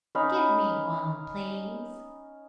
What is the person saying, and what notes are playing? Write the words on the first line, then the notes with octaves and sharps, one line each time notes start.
"Give me one, please."
C#4 D#4 F5 B5